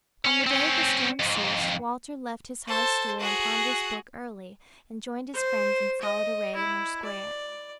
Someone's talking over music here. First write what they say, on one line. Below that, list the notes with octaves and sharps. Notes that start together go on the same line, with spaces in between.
On the day the storm ceased Walter left his high stool and ponderous book early and joined his friends in solid array in their square.
C#4
C4 C#4
F2 G#2
A4 C5
F#4 G#4
C5
D#5
E4
D5